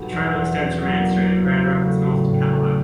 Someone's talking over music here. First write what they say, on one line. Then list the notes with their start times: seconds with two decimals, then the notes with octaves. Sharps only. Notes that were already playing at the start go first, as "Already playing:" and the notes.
The trail extends from Ann Street in Grand Rapids north to Cadillac.
Already playing: B1 G2 G3
0.11 E2
0.33 E2
0.54 E2
0.76 F#3
0.98 A#3
1.20 A#3
1.41 C#3
1.63 C#3
1.85 A3
2.07 A2
2.28 A2
2.50 A3